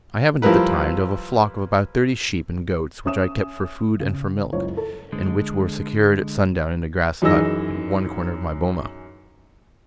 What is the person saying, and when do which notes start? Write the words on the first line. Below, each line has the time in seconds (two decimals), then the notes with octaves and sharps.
I happened at the time to have a flock of about thirty sheep and goats which I kept for food and for milk, and which were secured at sundown in a grass hut at one corner of my boma.
0.42 F3 G3 E4 A#4 B4
3.06 C#4 E5 D#6 E7
4.00 C#3
4.53 F#1 C#2 C#5
4.77 A4
5.12 D3 G#3
7.22 F#2 E3 D#4 G#4 E6 A#6